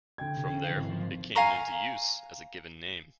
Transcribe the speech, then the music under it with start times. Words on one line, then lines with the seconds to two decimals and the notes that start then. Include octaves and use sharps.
From there, it came into use as a given name.
0.18 D3 G5 G#6
0.37 C3
0.50 C#3 C#4
0.64 F3 F5
0.77 G#1 C#3 E3 F#3
0.90 F3
1.35 F5 G#5 A#5 C#6